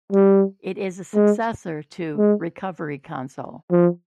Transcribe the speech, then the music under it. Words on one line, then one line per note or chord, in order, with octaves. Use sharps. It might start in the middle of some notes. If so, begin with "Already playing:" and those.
It is a successor to Recovery Console.
G3
G#3
G#3
F3